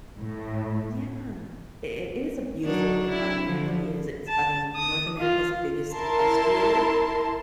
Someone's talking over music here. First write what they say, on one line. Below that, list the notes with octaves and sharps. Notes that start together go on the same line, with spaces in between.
Yeah, i it is a beautiful environment. It really is. It's, I mean, North America's biggest estuary,
A2
F#3 D4 D#4
E4
D3 F3
A5
D#6
F4
E4 A#4 A5 C6